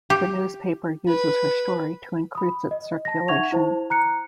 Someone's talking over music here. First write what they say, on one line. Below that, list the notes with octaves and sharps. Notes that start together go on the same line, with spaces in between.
The newspaper uses her story to increase its circulation.
G4
B4
B5 D#6
D#5
A5 A#6
D#4 E5 F#5 C#6 G#6 F7
E4 C5 A5
A#5 F#6 C#7